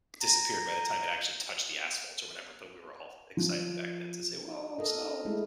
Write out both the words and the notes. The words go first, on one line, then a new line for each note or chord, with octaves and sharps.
disappeared by the time it actually touched the asphalt or whatever, but we were all excited back then to say, "Whoa, snow!"
A#5
F3
A4 A#4 D#5
G#3 A3 D#4 E4